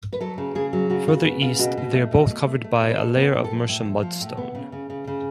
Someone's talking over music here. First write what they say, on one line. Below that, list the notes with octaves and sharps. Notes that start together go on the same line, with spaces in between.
Further east, they are both covered by a layer of Mercia Mudstone.
B4
F#3 A4
C#3
C#3 G#4
F#3
C#3 F#4
C#3 F4
B3
C#3 F4
B2 F#4
B2
A3
B2
A3
A3
A3
B2
B4
B3 A4
B3 B4
A2
A4
F3
A2
F3
F3
A2
B3
C#3
C#3
C#3
C#3